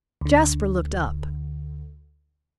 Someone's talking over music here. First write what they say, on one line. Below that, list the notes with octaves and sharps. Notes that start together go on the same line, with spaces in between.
Jasper looked up.
D2 D3